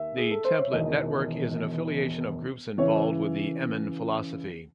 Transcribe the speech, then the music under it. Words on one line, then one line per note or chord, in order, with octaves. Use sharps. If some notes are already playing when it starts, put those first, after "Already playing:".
"The Template Network", is an affiliation of groups involved with the Emin philosophy.
Already playing: D#2 E5
G#4
A4
C5
C#5
E1 E2 D#3 D#5
C#3 E3 C#5